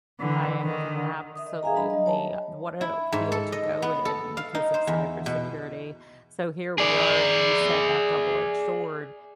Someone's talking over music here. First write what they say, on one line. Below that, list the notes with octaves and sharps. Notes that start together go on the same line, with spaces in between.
I, uh, c absolutely. What a field to go in because of cybersecurity. So here we are, and you said that double-edged sword,
D3 E3
D3 D#3
E5 D#6
D#5
G#4 E5 F5 G#5 A#5
G3 D4 D#5 E5 B5
F#3 D#5
C#5 A5
E4
G#2
A4
D#5
B3
A4
F5
D#4
C5
E2
B2
G#4 D5